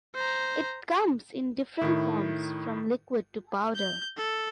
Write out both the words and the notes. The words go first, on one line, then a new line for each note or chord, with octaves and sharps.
It comes in different forms from liquid to powder.
C5 A#5
A2 D#3 E4
G6
A4